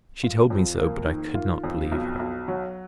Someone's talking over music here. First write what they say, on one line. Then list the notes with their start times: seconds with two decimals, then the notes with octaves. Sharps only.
She told me so, but I could not believe her.
0.23 F4
0.50 F2
0.80 A#3
1.06 D#3
1.35 F4
1.64 F2
1.92 B1
2.19 B1
2.48 F#3